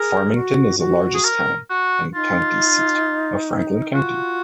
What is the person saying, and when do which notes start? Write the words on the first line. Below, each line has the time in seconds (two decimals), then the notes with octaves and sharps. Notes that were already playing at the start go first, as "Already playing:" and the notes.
Farmington is the largest town, and county seat, of Franklin County.
Already playing: G#4 A#4
0.35 F#4
0.79 F#4
1.14 G#4
1.24 A#4
1.70 F#4
2.14 D#4 F4
3.94 F4 F#4